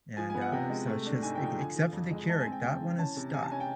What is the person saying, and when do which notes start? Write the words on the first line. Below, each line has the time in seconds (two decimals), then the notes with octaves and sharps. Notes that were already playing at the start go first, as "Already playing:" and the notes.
and, uh, so it's just ec except for the Keurig, that one is stuck,
0.17 F3 G#5
0.30 B3 G#5
0.41 F#5
0.52 C3 G5
0.70 G#3
0.87 A3
1.06 D4
1.23 G#2 G#5
1.35 G5
1.40 F3
1.46 G5
1.58 D3 G#5
1.76 F3
1.93 F2
2.11 G#3
2.28 G#3 A5
2.40 G#5
2.47 C4
2.52 G5
2.63 C#3 G5
2.81 E3
2.98 C#4 A5
3.17 C3
3.34 C3 G#5
3.43 A5
3.51 C#4 G#5
3.60 G5